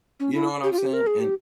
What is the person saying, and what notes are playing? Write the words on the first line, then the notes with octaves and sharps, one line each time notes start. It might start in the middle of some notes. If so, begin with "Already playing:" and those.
You know what I'm saying? And
C#4
E4
G4
F4
G4
A#4
G#4
G4